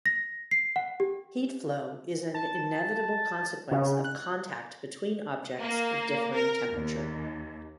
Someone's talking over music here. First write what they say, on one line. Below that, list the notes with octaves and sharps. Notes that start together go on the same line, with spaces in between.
Heat flow is an inevitable consequence of contact between objects of differing temperature.
A#6
C7
F#5
G4
A5
C#3
F#6
A#3
A#4
D#2